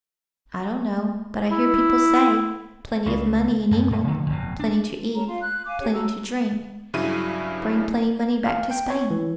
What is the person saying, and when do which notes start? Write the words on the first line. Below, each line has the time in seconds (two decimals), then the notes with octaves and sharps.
"I don't know, but I hear people say, plenty of money in England--plenty to eat--plenty to drink; bring plenty money back to Spain."
1.51 E4
3.06 C#2 C#3
3.71 F#2 B3
3.91 F#2 A#2
4.07 C#3 F3 A3 A#3
4.30 F1 F#2 B2
4.60 D4
5.15 C#4 A5 A#5
5.28 F4 F5 C6
5.43 F#6
5.65 F5 G#5 D6
5.80 C#4 G4 G#4 C#5
5.94 F#4 A5 A#5 E6
6.94 G2 C#3 F#3 E4 D#7
8.46 F5
8.71 G5
8.90 C#5
9.10 E3